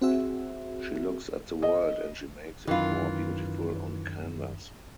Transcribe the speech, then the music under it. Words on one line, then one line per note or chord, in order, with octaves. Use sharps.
She looks at the world and she makes it more beautiful on canvas.
C4 F#4 G#4 E5
D#5
F#2 D#3 E3 F4